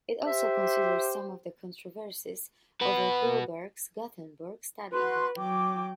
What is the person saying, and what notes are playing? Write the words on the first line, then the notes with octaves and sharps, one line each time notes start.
It also considered some of the controversies over Gillberg's Gothenburg study.
G4 C5 E5
F#4 B4
F#4 B4 C6 F#6
F#3 G5 D6